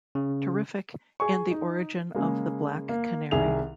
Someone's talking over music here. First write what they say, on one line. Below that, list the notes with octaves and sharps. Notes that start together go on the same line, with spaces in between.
Terrific, and the origin of the Black Canary.
C#3
G#4 G#5 C#6
D#4
C#3 G#3 A#3
A#3
C2 D#3 G#4 E5 F7